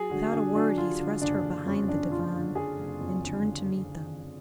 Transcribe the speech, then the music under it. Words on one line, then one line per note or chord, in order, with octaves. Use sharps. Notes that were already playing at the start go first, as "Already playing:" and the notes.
Without a word he thrust her behind the divan and turned to meet them.
Already playing: F#3 G#4
D3 F#4
D3 D4
F#3 D4
F#3 F4
D3
F#1 D4
F#1
F2 C#4
F#1 D4
F#1 F4
D3
D3 G#4
F#1
F2
D3